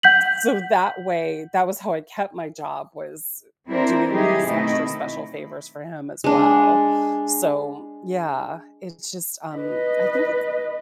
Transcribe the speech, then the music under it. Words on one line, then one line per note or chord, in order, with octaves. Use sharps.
so that way that was how I kept my job, was doing these extra special favors for him as well. So, yeah, it's just, um, I think it's
F#5 G6 B6 F#7
C4 D4 E4 A#4 C5 D5
F#3 G3 D#4 E4 G4 G#4
B2 D#3 A3 C4 E4 D#5
G#3 D4
B4 D#5